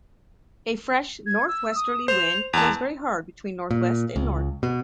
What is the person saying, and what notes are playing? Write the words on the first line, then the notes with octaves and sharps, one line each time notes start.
A fresh northwesterly wind blows very hard between northwest and north.
G#6
E6
D#6
C5 F7
E2 A5 F7
A#2
C#2
B2